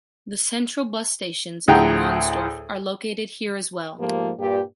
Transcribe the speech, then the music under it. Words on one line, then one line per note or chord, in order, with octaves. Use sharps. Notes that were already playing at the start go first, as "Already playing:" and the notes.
The central bus stations in Ronsdorf are located here as well.
D2 A2 G#4 F#5 G5 A#5
G#2 F3 A3 A#3 F4 G4
G2 A#2 G4